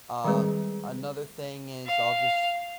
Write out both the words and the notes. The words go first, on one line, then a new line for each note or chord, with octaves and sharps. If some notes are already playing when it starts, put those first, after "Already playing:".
Um, another thing is I'll just
D#3 G3 G#3 C4 G#4 B4
F5